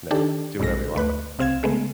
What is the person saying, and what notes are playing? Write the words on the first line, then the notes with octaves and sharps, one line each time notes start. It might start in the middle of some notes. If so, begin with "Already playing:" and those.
you know, do whatever you want.
D#3 D4 G4 A4
A#1 G2 C3 G#3 A#6
D2 A3 B4 F#6
C2 C3 C4 F5 G#6 E7
C#3 G#3 A3 B3